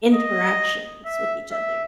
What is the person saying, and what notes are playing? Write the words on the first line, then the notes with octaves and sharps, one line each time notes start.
interactions with each other.
D#5
E5
E5